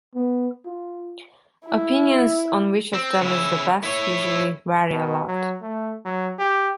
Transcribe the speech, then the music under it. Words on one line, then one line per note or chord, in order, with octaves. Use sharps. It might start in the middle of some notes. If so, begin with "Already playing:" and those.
Opinions on which of them is the best usually vary a lot.
B3
F4
E4
C4
C#3 E4
E4 C#5
B2
F#3
A3
F#3
G4